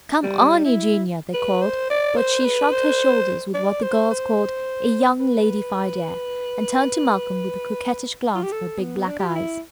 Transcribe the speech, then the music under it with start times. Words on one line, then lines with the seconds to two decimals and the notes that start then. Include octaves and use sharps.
"Come on, Eugenia," they called, but she shrugged her shoulders with what the girls called a "young ladified air," and turned to Malcolm with a coquettish glance of her big black eyes.
0.23 G3
0.65 E4
1.34 B4
1.62 C5
1.90 D5
2.17 C5
2.45 B4
2.72 C5
3.54 D5
3.82 C5
4.11 C5
5.20 B4
8.35 F4
8.43 G4
8.52 A4
8.80 B3
9.07 D4
9.19 G4
9.27 F4
9.35 E4